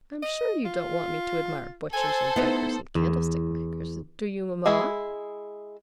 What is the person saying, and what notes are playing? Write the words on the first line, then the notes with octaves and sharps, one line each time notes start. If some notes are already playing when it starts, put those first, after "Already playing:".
I'm sure you don't want me to admire butchers and bakers, and candlestick-makers, do you, mamma?'
D#5
F4
A4 C5 G#5
B3 D#4 E4
E2
G#3 E4 G#4